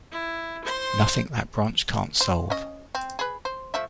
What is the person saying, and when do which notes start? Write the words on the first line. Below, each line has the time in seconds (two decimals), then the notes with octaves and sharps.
Nothing that brunch can't solve.
0.12 E4
0.64 C5 C6
2.21 C5
2.50 C#4 D#5
2.95 C4
3.19 G#4 B4
3.45 C5
3.74 F3 A3 E5